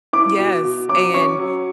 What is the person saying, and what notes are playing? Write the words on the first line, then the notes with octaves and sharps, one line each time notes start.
Yes, and
E4 D6
B2
B2
F#3 D6
C#4 C#6
F#3